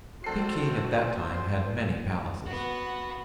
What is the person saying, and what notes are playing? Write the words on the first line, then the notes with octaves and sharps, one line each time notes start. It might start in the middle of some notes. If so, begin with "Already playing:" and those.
Peking at that time had many palaces.
A#1 F#4 A4 C5 C7
C5 F#5 G#5 C6
B3 F#4